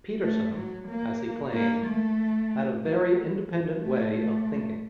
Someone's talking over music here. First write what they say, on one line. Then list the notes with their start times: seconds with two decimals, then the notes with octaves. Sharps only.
Petersen, as he claimed, had a very independent way of thinking.
0.22 A3
0.54 F#3
0.87 A#3
1.53 A#3
1.86 A3
2.84 F#3
3.48 F3
3.82 A3
4.14 A3